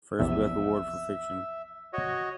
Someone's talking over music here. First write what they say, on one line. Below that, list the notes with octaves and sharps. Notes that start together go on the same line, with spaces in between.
First Book Award for Fiction.
A#1 E2 C3 E5
F#4 C#5 D#5